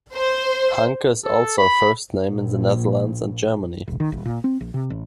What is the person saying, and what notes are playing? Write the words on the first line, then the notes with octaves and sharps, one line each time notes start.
Hanke is also a first name in the Netherlands and Germany.
C5
A4
B5
A#1
E1
D#3
D#1
A#2
C4
A#1
C3
A1